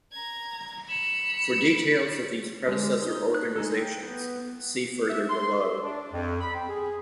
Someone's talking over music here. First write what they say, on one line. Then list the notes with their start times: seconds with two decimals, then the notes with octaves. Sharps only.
For details of these predecessor organizations, see further below.
0.12 A#5 G#6
0.88 B5 C#7 E7
2.67 D3 G#3
3.03 D#4
3.35 F#6
3.56 G#3 D#4 A4
3.77 G5
4.03 B3
5.08 E5
5.29 C6
5.63 E5
5.83 D4
6.12 F2
6.41 B5
6.53 C4
6.68 G#4